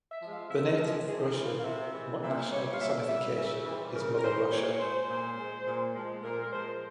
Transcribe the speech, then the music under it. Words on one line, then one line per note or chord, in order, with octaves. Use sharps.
The native Russian national personification is Mother Russia.
E5
F3 G#3
F5
C3 E5
A#4
F3 G#3
G#4
C3 G#4
C5
A#4
E3 G#3
F5
F5
C3 E5
E3 G#3
A#2 E5
G3 C#5
F5
A#2 E5
G3 E5
C#3 E5
E3
G3 C5
C#3 A#4
A#4
E3 G3 C5
C5
A#2 C#5
G#3 C5
A#2
G#3
A#2
F3 G#3
A#2 A#4
A#4
F3 G#3 C5